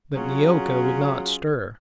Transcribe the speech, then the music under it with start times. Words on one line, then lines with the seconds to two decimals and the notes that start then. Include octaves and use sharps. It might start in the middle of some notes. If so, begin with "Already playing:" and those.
But Neeoka would not stir.
0.15 F#3 C#4 F4 F#4 G#4